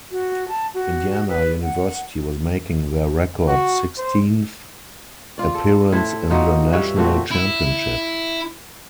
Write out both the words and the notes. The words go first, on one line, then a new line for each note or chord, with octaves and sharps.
Indiana University was making their record sixteenth appearance in the national championship.
F#4
A5
F#4
B4
F#5
F#4
C5
F4 D5
A4
A2 E4 A4 C5
F#3 D#4 F4
G2 B4 C#5 E5
A#2 A3 C4 F#4
E4